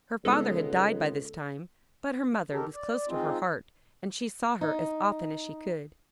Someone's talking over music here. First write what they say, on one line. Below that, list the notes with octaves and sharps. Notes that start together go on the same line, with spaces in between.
Her father had died by this time, but her mother was close to her heart and she saw her as often as she could.
C#2 G#3 B3 D#4 A4
D#3 G4 A4 A#4
D5
G#3 C4 D#4 F4
D#4